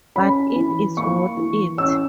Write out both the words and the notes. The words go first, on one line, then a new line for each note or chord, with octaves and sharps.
But it is worth it.
C#4 B5
E3
A#3 C#6
E3
C#4 E6